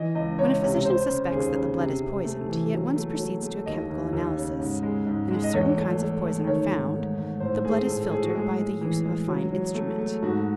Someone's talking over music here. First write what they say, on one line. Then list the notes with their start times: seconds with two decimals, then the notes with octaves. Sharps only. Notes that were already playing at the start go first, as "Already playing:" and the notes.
When a physician suspects that the blood is poisoned he at once proceeds to a chemical analysis, and if certain kinds of poison are found, the blood is filtered by the use of a fine instrument.
Already playing: E3 D#5
0.15 C#2 D#5
0.38 C#2 C#5
0.62 C3 C#5
0.85 C#3 C5
1.09 C#3
1.31 D#2 G#4
1.55 C#3
1.78 C3
2.02 C3
2.25 A3
2.49 E3
2.73 F#3
2.96 A3
3.19 F#3
3.42 A3
3.66 D#2 D#5
3.90 D#2
4.13 D#2
4.36 C#3
4.59 G#2
4.83 G#3
5.07 G#2
5.31 G#3
5.44 D#5
5.53 E2 C#5
5.77 A3
6.00 A3
6.24 A3
6.47 D#3 C#5
6.71 G#2
6.93 G#2
7.18 G#2
7.40 A2 C5
7.64 A3 G#4
7.87 A2 A4
8.11 A2 G#4
8.24 F#4
8.35 G#3 G#4
8.58 G#3
8.81 E3
9.05 G#3
9.28 F#3
9.51 F#3
9.75 A3
9.98 A3
10.22 G#2 F#4